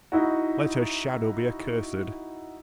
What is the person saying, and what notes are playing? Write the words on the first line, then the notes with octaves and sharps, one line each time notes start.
Let her shadow be accursed.
D#4 E4 F#4